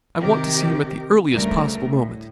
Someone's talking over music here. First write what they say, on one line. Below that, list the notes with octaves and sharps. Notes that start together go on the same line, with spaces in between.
I want to see him at the earliest possible moment.
C3 D#3 G4 A#4
D2 C#3 G3 A3 A#4
A2